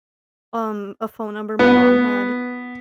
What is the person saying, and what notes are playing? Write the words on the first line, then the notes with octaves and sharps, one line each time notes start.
um, a phone number my mom had
B3